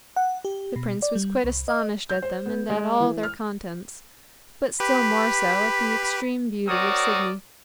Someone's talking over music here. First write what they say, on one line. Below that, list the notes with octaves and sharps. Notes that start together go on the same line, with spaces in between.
The prince was quite astonished at them and at all their contents, but still more so at the extreme beauty of Signy.
F#5
G4
B2
D5
G3
C2
D#5
G6
C5
B3
G#3
E3
F6
G4 B4 B5
C4 F#4 A#4 C#5 D5 D#6